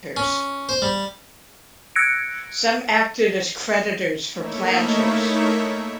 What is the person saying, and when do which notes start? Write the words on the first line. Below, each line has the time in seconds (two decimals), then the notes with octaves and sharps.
Some acted as creditors for planters.
0.17 C#4
0.69 C5
0.82 G3
1.96 E6 F#6 G#6 A#6 C#7 D7
4.32 A3 A#3 D#4 E4 C#5 E5